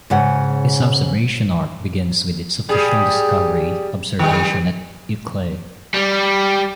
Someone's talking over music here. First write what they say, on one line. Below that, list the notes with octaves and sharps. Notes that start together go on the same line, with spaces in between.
Its observation arc begins with its official discovery observation at Uccle.
G#2 C#3 F#5
G3 G#4
D#3 G3
G3